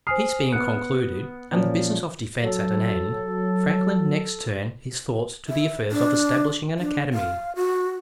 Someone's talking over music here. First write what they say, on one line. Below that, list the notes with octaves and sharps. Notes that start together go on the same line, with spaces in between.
Peace being concluded, and the business of defence at an end, Franklin next turned his thoughts to the affair of establishing an academy.
C5 G#5 D#6 F6 C7
B3 F#6 C#7
A#2 F3 C#4
F#3 A4
E5
D4
D4
F5
F#4